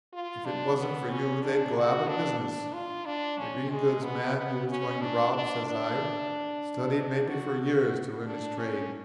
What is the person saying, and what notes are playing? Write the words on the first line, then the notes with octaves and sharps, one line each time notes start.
If it wasn't for you they'd go out of business. The green goods man you was going to rob,' says I, 'studied maybe for years to learn his trade.
F4
D4
B3
C#4
D4
F#4
D4
D4
F4
D4
C#4
G#3
B3
B3
C#4
D4
D4
D4
F#4
F#4
D4
C#4